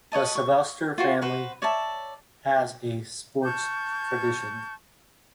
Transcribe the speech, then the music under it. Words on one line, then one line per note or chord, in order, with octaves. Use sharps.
The Sylvester family has a sports tradition.
B4 C#5 D#5 A5
C#6
F4 F#4 C5
F#4 B4 C5
C#5 D5 E5 A5
A5 C#6 F6 G6